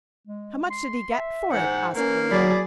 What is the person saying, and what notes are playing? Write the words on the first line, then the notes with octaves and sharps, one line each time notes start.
"How much did he get for it?" asked William.
G#3
C6
E5
G#2 C5 F#5
A#3 C#4 B4
F#3 G#4 D5 B5